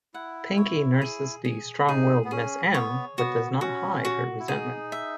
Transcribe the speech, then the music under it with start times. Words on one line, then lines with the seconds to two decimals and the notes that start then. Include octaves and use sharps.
Pinky nurses the strong-willed Miss Em, but does not hide her resentment.
0.14 E4 F#5
0.58 C#5
1.01 G#4
1.45 G#4
1.88 D#4 G#4
2.25 B3
2.31 C#4 G#4
2.74 B3 C#5
3.18 B3 F#4
3.61 C#4 F#4
4.05 F#4
4.40 E4
4.48 D#4 G#4
4.92 E5